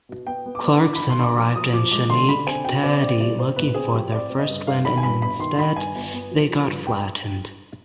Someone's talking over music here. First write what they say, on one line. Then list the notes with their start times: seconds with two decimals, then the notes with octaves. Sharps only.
Clarkson arrived in Schenectady looking for their first win and instead they got flattened.
0.09 B2
0.27 B3 G5
0.46 B3
0.55 D6
0.63 B3
0.81 D4 D6
0.95 D#3 B5
1.10 C6
1.19 D4 D6
1.37 F3 D6
1.56 F3 D#6
1.73 F3 D6
1.92 G#3 D6
2.10 D3 C6
2.29 D3 B5
2.47 C4 G#5
2.65 B2 G5
2.83 C4 D5
3.01 C4 D5
3.20 G3 D5
3.39 C4 C5
3.56 G1 B4
3.74 C4 G#4
3.93 F3 G4
4.12 C4 D5
4.30 C4
4.39 D#5
4.49 G2
4.67 G2 F5
4.85 D#3 B5
4.98 G#5
5.03 G2 B5
5.22 G1 B5
5.39 D#3 C6
5.58 D#3 B5
5.76 G2 G#5
5.96 G1
6.14 B3
6.31 F3
6.50 F3
6.68 G2
6.87 G5